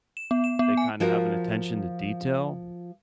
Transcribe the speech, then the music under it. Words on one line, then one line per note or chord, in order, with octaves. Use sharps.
they kinda have an attention to detail,
E7
B3
E7
B3
G#5
F3 F4 F#4 A#4